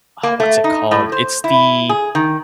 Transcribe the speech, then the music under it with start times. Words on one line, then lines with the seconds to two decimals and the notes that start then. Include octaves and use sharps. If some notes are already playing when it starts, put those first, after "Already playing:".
uh, what's it called? It's the
0.23 A#3
0.40 A3
0.64 D#4
0.91 A2
1.12 C5
1.44 E4
1.89 G#4
2.15 D#3